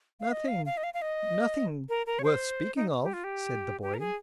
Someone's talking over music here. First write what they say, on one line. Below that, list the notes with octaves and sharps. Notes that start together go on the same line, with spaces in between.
"Nothing--nothing worth speaking of," said the boy.
F5
D#5
F5
F5
D#5
F5
F5
D#5
A#4
A#4
C#5
C5
D#4
G4
F4
G4
G4
A#4
G#4